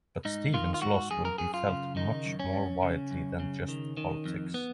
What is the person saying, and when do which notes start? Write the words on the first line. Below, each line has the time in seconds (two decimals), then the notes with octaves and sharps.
But Stephen's loss will be felt much more widely than just politics.
0.25 G#2 D#4
0.54 D#3 F4
0.74 F4
0.82 G#2 F#4
1.11 F#2 G#4
1.25 A#4
1.38 F#2 G#4
1.54 F4
1.68 C#3
1.96 D#3 D#4
2.25 F#2
2.40 C#4
2.54 F#2
2.82 C#3
3.11 F#2
3.40 C#3
3.68 D#3
3.97 D#3
4.26 F2
4.54 B3